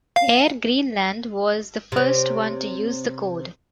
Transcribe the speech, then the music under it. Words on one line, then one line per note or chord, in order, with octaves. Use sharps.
Air Greenland was the first one to use the code.
F5
C3 C#4